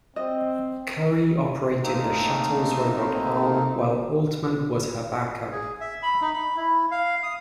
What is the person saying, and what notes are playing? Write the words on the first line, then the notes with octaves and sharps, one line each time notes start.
Currie operated the Shuttle's robot arm while Altman was her backup.
C4 D#5
A3 A#3 C4 D#4
G#4
E5
B5
D#4
B5
E4
F5
D#6